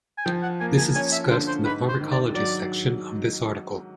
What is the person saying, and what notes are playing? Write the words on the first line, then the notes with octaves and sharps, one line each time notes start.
This is discussed in the Pharmacology section of this article.
G#5
F3 G5
F#5
A#3 G#5
G#5
C#4 G#5
E5
D3 C5
C5
G#2 B4
C5
D#3
D5
F#3 D5